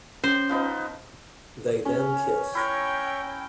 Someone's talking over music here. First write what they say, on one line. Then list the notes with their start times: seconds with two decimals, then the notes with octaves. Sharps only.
They then kiss.
0.24 C#4 C5
0.49 F3 B3 D#4
1.85 C#4
2.55 E4 A#4 C#5 G5